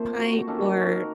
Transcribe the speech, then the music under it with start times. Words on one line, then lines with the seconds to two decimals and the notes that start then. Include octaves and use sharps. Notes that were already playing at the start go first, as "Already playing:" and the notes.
pint or
Already playing: A#2 A3 C4 C5
0.18 F#4
0.33 F#4
0.47 D#3 A#3 C#4 A4
0.62 F#4
0.77 F#4
0.92 A#4